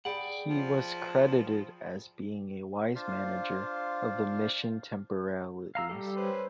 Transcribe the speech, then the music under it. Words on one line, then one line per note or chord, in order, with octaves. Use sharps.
He was credited as being a wise manager of the mission temporalities.
G#4 D5 F#5 G5 B5
F3
D4 F4 C5 F5
F5 A#5 E6
G3 G4 A4
C#4 B4 C5